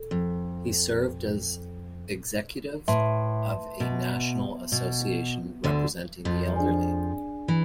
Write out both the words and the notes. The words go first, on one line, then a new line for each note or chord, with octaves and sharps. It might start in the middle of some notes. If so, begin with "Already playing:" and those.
He served as executive of a national association representing the elderly.
Already playing: A4
F2
A2 B4 E5 A5 C6
B2
B2
D2 D3
F2 F3
D4 G#4 D5 G#5
E3